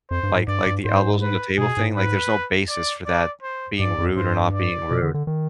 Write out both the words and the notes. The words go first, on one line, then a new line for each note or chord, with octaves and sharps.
like like, the elbows on the table thing, like, there's no basis for that being rude or not being rude.
F2 C5
G2
G#2
G2 D5
G2
G#2 C5
B4
B2 G#4
G#2
B4
D5
D5
C5
G2 D5
F2
G2 C5
D5
B2
D3
D3
D#3